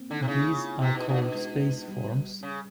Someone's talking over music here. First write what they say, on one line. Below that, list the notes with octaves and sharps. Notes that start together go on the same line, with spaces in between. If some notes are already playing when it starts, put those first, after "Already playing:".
These are called space forms.
Already playing: A#3 C4
D3 D#4
C3
C#3 E4
F4
C3 E4
B2 D#4
A#2 D#4
B2 D4
G#3
G3
C#3